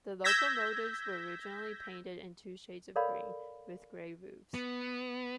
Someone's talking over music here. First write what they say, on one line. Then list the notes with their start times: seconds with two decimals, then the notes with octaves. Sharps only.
The locomotives were originally painted in two shades of green, with grey roofs.
0.24 E6 G6 G#6 A#6 B6
2.96 A4 A#4 C#5 D5 F5 B5
4.54 B3